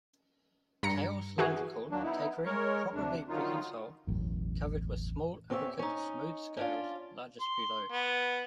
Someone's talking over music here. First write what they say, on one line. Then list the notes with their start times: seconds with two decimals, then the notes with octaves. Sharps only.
Tail cylindrical, tapering, probably prehensile, covered with small imbricate smooth scales, largest below.
0.83 G2 A#5 A#6 C#7
1.38 E3 F#4 G#4
1.91 D#2 F#3 A#3 D4
2.03 B3 D#4 E4
2.46 G#3 A#4 C#5
2.94 D2 C3 D4
3.29 D3 D#3 F#3 D#4 F4
4.07 E1 A1 F#2
5.50 E2 C4 C#4 E4 E5
5.79 C#4 D#4
6.57 C#4 D4 F4
7.41 C6
7.92 B3